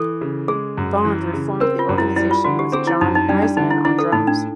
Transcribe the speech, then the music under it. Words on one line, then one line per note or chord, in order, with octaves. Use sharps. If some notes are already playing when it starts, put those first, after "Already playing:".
Bond reformed the Organisation with Jon Hiseman on drums.
Already playing: E3 A4
C#3
G#3 G#4
F#2
E3
C#3
C4 A#4
F4
F#2
E4
G3 E4
F4
D3 F#4
G4
C4 G#4
E4
F#2 D#4
D#4
G3 D4
D4
D3 D#4
E4
D4 E4
A4
A2 D#4
D4